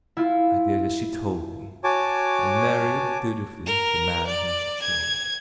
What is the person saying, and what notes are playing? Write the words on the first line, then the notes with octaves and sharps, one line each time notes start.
I did as she told me and married dutifully the man whom she chose.
E4 F4
F#4 C#5 G#5 A5 D6
A#4
D5
G#6